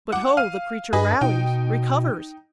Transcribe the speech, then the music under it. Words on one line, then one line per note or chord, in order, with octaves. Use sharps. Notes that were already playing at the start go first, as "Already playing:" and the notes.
But ho! the creature rallies--recovers!
F#5 D6
F5 F6 D#7
G2 G#4 B4 D#5
B2 D#4 G5